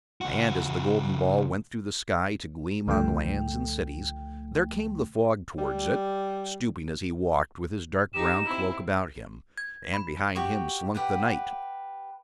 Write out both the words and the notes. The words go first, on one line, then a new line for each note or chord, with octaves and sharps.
And as the golden ball went through the sky to gleam on lands and cities, there came the Fog towards it, stooping as he walked with his dark brown cloak about him, and behind him slunk the Night.
C#2 F#4
C#2 D3 F3 A3 G5
G3
D#4 G4 E7
C4 E4
G#6
B5
F#4 G4 C#6
G4 B4 F#5